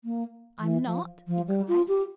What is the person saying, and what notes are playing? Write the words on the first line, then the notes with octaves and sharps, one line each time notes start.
"I'm not?" he cried.
A#3
E3
F3
F3
G3
F4
G4